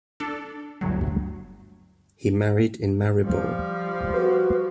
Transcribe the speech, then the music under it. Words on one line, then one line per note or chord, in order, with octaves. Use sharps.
He married in Maribor.
D4 A4
G1 D2 G2 F#3
F3 G3
F#4 B4